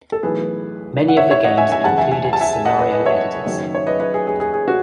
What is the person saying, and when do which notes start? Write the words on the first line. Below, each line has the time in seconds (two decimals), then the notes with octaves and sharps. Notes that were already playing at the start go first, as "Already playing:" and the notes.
Many of the games included scenario editors.
0.12 A4
0.23 B1 A2 E3 G#4 B4
1.08 F#5
1.17 C#5 E5
1.31 C#5 E5
1.44 D#5 F#5
1.57 E5 G#5
1.72 E5 G#5
1.84 F#1 E2 C#3 F#5 A5
1.98 E5 G#5
2.11 E5 G#5
2.24 G#5
2.33 A5
2.41 E5 G#5
2.65 D#5 F#5
2.79 B4 D#5
2.92 B4 D#5
3.05 C#5 E5
3.46 F#1 F#2 D#3 F#3
3.75 C#5
3.87 B4 D#5
4.00 B4 D#5
4.14 G#4
4.27 G#4
4.40 G#4
4.54 G#4
4.68 F#4